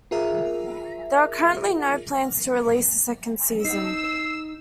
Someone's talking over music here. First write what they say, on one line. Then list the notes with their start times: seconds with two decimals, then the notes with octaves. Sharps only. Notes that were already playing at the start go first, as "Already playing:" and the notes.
There are currently no plans to release the second season.
0.11 F4 G#4 A#4 E5
3.65 D#4 E6 C7